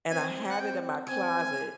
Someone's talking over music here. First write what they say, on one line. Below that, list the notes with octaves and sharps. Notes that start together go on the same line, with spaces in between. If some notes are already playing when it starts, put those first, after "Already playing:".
and I have it in my closet,
C4 G#5
F#5
C4 G5
C4 G#5